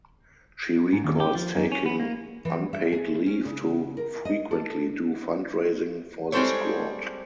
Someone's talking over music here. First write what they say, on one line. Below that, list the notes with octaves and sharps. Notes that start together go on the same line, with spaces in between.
She recalls taking unpaid leave to frequently do fundraising for the squad.
G#2
D#2
G4
F3
F#2
C#4
B3
A#3
E3
E5
G#4
C#4
C#3
A#4
D#5
A4
G3 G#3 C4 A4 C5 C#5